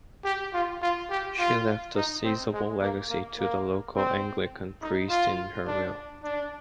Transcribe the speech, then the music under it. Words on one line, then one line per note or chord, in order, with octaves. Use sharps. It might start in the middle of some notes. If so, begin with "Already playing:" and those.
She left a sizeable legacy to the local Anglican priest in her will.
G4
F4
F4
G4
F4
D#4
C4
G#3
A#3
A#3
A#3
C4
D#4
F4
D4
D4